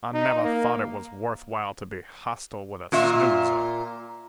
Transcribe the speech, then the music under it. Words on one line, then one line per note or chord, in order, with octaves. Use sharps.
I never thought it was worth while to be hostile with a snoozer.
D#4
A#3
A#2 F4 E5